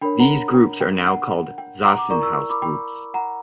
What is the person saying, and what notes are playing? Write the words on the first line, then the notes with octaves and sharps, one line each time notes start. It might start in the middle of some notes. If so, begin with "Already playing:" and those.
These groups are now called Zassenhaus groups.
D4 A#4 C#5 G5 B5
F#5 A#5
G5
G5
F#5
G5
F#5 A#5
D6
E4 A#4 D5 A#5 C#6
C#6 E6
B5 D6
G5 B5
F#5 A#5